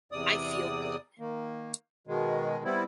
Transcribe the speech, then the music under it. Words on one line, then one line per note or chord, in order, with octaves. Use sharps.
I Feel Good!
E2 C3 D5 D#6
D#3 A#3
B2 D#3 G#3
G3 B3 C4 E4